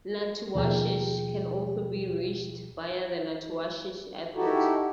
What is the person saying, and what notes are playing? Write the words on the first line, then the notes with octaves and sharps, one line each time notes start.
Natuashish can also be reached via the Natuashish Airport.
D#2 B2 F3 G#4 G5 A#5
D#4 E4 F#4 G4 A4